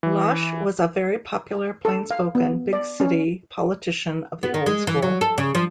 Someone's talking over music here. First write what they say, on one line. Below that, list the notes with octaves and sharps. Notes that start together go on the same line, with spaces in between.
Lausche was a very popular, plain-spoken, big-city politician of the old school.
E3
A4
F5
B3
D5
C#4
B3
D#3
G#3
E3
F#3
A4
C#3
F3